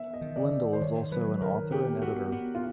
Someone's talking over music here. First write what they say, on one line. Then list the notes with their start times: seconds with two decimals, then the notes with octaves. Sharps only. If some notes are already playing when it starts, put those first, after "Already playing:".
Lindall is also an author and editor.
Already playing: B3 E5
0.14 D#5
0.21 D#3
0.36 D5
0.51 D#3
0.73 C5
0.81 D#3 C#5
1.12 F#3 B4
1.41 D#3 A#4
1.71 B3 G4
2.02 B3 F#4
2.32 B3
2.55 F4